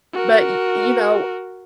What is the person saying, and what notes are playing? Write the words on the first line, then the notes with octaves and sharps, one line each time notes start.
But y you know,
F#4 A#4